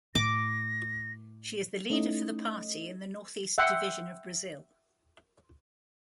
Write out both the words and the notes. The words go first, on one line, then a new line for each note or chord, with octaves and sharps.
She is the leader for the party in the northeast division of Brazil.
A2 D6 A#6
A3 C#4 D#4 E4 D#5
E5 F#5 G5 C6